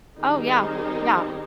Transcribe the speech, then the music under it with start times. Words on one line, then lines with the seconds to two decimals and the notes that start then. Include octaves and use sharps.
Oh yeah, yeah.
0.18 D#3 G3 C4 D#4 G#4